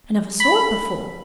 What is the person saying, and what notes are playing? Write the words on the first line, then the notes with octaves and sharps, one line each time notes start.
I never saw it before.
B5